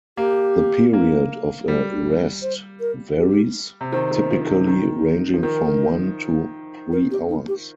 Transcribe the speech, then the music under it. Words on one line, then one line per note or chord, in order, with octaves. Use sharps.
The period of a "rest" varies, typically ranging from one to three hours.
A#3 G4
A#3
G3
C5
A#4
G4
C3
D#3 C5
D#3
F3
C3
D#3
F3
D#3 A#4
A#4
G4
D#4
G4